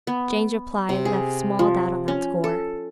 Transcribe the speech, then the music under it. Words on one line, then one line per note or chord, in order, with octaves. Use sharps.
Jane's reply left small doubt on that score.
B3
C3
G#4
F3
C#4
A4